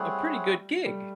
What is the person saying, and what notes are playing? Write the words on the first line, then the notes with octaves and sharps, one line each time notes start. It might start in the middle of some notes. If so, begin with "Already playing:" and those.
a pretty good gig.
Already playing: G3 A3 C4 E4 G#4 C#5 F#5
G3 A3